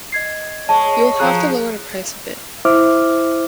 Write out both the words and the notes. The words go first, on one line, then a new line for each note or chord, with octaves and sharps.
You will have to lower the price a bit.
D#5 G#6 C7
G#3 C#5 A5
F3 G#4 F5 A#5 F#6
E4 C5 E5 D6 F6